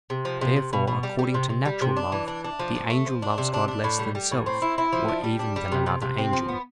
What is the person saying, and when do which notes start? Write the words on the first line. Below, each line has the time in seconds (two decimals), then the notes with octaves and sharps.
Therefore, according to natural love, the angel loves God less than self, or even than another angel.
0.10 C3
0.25 F3
0.41 C3
0.56 C3
0.73 B2
0.87 B2
1.03 G3
1.19 G3
1.34 C3
1.50 C3
1.65 G3
1.81 C3
1.96 D4
2.12 E3
2.28 D4
2.44 D4
2.59 F3
2.75 F3
2.90 A3
3.06 F3
3.22 D4
3.38 C3
3.53 D4
3.68 D4
3.84 A2
3.99 G3
4.15 G3
4.31 A2
4.46 C4
4.62 E4
4.78 E4
4.93 F3
5.08 D4
5.24 G3
5.39 D4
5.56 G3
5.72 C3
5.87 C3
6.02 C3
6.18 C4
6.33 F3
6.48 B3